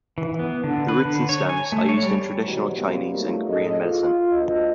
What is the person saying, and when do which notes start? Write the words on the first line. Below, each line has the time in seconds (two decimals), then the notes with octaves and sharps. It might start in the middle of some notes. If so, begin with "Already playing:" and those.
The roots and stems are used in traditional Chinese and Korean medicine.
0.18 E3
0.39 B3
0.64 D3
0.89 B4
1.05 D3
1.29 C#5
1.49 G#5
1.72 A3
1.89 C#5
2.02 G3
2.44 G#2 B2 D#3 E3 F#3 G3
2.74 C3 G3 A#3 B3
3.10 F#3 G3 A3 A#3 D#4 F4
3.47 A2 G#4 A4 D#5
3.84 F4
4.30 D2 D#5